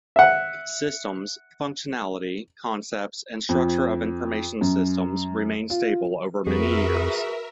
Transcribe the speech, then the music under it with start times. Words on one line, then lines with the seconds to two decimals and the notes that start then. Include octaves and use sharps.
Systems, functionality, concepts and structure of information systems remain stable over many years.
0.16 E5 F#5
3.49 F2
4.61 F#2
5.70 F4
6.46 F2 F#4 G#4 A#4 B4 E5